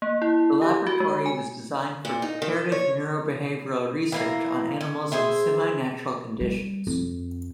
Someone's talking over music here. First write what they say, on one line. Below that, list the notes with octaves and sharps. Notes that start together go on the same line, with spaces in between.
The laboratory was designed for comparative neurobehavioral research on animals in semi-natural conditions.
A#3
E4
G4
F#4
G#3
G#5
A#2
D#4
D#3
C#5
E3 A#3 A#4
C#4
G#4 C5 E5
G3
F2